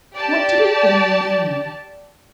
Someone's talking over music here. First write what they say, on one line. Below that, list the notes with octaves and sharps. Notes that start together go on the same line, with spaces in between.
What did it all mean?
G4 D5 A5